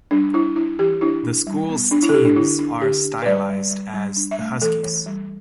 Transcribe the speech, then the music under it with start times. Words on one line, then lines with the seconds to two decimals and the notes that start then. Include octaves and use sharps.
The school's teams are stylized as the Huskies.
0.11 G3 D4
0.34 D4 E4
0.56 D4 E4
0.79 E3 G4
1.01 D4 E4
1.24 D4
1.47 G3
1.69 B3
1.91 D4
2.02 E4
2.09 A4
2.14 D4 G4
2.25 D4
2.36 D3 E4
2.59 D4
2.82 D3 G4
3.04 D4
3.22 B4
3.26 G3 D5
3.49 G3
3.71 G3
3.94 G3
4.16 D4
4.31 E5
4.39 A3
4.62 E3 A4
4.84 E3
5.06 G3